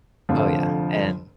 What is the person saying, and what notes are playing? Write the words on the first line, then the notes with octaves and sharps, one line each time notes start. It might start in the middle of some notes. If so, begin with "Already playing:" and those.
Oh yeah, and
F1 F2 D3 F3